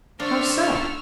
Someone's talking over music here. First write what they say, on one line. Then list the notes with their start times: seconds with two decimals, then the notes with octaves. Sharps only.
"How so?"
0.20 A3 D4 F4 C5 C#6 E6 F6